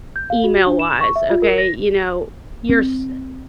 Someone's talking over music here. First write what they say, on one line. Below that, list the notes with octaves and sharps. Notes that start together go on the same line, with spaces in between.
email-wise, okay, you know, you're s
G6
F5
F#4
D4
E7
C#6
E5
F4
A#4
A#6
C4